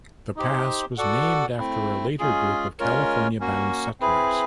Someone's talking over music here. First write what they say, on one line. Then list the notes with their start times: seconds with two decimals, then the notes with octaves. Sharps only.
The pass was named after a later group of California-bound settlers.
0.36 D#4 G4 C5
0.98 F#4 A4 D5 F#5
1.58 A3 C4 E4
2.19 G#3 C#4 F4 G#4
2.79 G#3 C#4 F4 A#4 C#5
3.40 A#3 C#4 F#4
4.00 C4 E4 G#4 B4